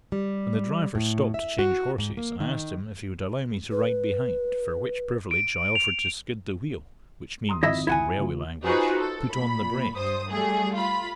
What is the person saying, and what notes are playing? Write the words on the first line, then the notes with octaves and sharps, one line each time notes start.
When the driver stopped to change horses, I asked him if he would allow me to ride behind, for which privilege I offered to skid the wheel, which means, in railway language, put on the brake.
G3
A2
E5
F#4
G#2
A#3
D#3
B4
D7
F7
A#5 C6 D#6
G#1 F2 E4 D#5 E5
E4 F#5 G#5
C#3 A3 F4
D#4 F4 F#4 G#4 B4 C5
A4
A#2 B5
G2 C5 D#6
G3 A3 G#4
F4 B5